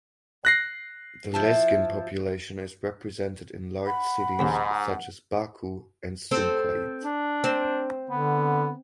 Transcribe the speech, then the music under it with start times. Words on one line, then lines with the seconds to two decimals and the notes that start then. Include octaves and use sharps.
The Lezgin population is represented in large cities such as Baku and Sumqayit.
0.45 F#6 A#6 C7
1.34 F3 E4 A5
3.86 F#5 B5
4.39 A#1 D#2 G#2 C#3
6.31 C4 A4 C5
7.04 D4
7.44 C4
8.10 D3 B3